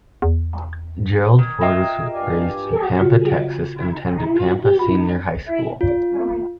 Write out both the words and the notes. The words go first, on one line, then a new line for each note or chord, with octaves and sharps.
Gerald Ford was raised in Pampa, Texas and attended Pampa Senior High School.
E2
D#3 D#6 G#6
F4 A#4 D#5 E5 G5
G2 G4 D5 F5 G#5
C#3 F4 F#4
B5
F4